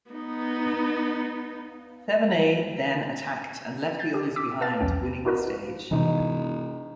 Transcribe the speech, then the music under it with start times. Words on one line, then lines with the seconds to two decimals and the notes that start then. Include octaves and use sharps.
Thevenet then attacked, and left the others behind, winning the stage.
0.11 B3 D#4
3.99 G6 A6 C7
4.14 G4
4.36 D6 E6 B6
4.61 B4 F5 A5 F6 A6
4.80 B1 E2 C#4 G5
5.25 D4 E4 F#4 A#4 B4 D#5
5.91 E1 C3 E3 D#4